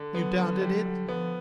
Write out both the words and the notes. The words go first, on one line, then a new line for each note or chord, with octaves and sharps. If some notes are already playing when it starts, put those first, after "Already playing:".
"You doubted it?"
Already playing: D3
F#3 B3
D3
G3
D3
F3 B3